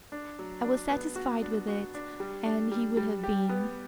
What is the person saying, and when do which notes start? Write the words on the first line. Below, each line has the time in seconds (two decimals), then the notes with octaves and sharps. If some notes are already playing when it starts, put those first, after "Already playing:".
I was satisfied with it, and he would have been.
0.12 D4
0.39 F#3
0.64 D4
0.90 B3
1.16 F#4
1.42 D4
1.68 F#4
1.94 D4
2.20 G3
2.46 D4
2.72 G3
2.97 G3
3.24 G4
3.49 B3